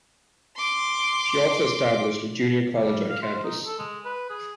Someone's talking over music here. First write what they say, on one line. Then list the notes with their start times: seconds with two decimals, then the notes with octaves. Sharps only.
She also established a junior college on campus.
0.56 C6 D6
2.75 G3
3.10 F5
3.22 C5
3.44 D#4
3.65 A4
3.79 G#3
4.05 B4
4.30 G#4